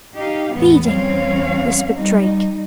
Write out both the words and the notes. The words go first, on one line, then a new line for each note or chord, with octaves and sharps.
"Feeding!" whispered Drake.
D#4 G4 F5
E2 A2 B3
E2 G3 C4 C#4 C#5 F5
G3 D#4